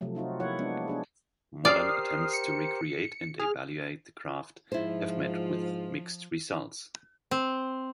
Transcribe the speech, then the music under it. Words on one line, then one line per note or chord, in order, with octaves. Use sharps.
Modern attempts to recreate and evaluate the craft have met with mixed results.
C3 F3 F#3 A3
C4 D#4 F4 F#4
F3 A#3 E4 C#5 F#5
G#3 B3 D4
B3 D4 G#4
G4 A#4 C5 D5 D#6 F6 C7
C#7
G#4 F6
G#2 F3 E4 F4 C5
C4